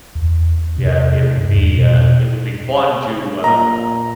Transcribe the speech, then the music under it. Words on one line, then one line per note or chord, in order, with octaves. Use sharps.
Yeah, it would be, uh it would be fun to, uh
E2
C3
G2
E2
B2
A#2 A#5